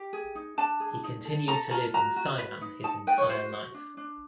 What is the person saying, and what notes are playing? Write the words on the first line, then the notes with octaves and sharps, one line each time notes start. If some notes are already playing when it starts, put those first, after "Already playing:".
He continued to live in Siam his entire life.
Already playing: G4
G#4
D#4
D4 A5
G#4
D#4
A4
A4 A#5
F4 A#5
F#4 A#5
F#4
B4
D#4
D#4 A5
B4 G5
C#5
F#4 C5
F#4
D4
D4